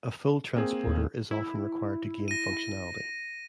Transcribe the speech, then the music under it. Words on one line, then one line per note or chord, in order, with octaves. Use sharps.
A full transporter is often required to gain functionality.
A#3 C4 G#4
D#2
E4
A#6 D#7